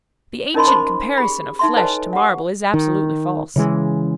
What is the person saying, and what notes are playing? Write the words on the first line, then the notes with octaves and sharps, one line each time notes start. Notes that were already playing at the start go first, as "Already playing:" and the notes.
The ancient comparison of flesh to marble is absolutely false.
C#4 D#4 A#4 D#5 B5 C6
C5 A5 B5 C6 D6
G4 G#4 B5
D#4 E5 C6
A4 B4 C#5 D#5 G#5 A5
G4 F#5
D#3
C#3 E3 G#3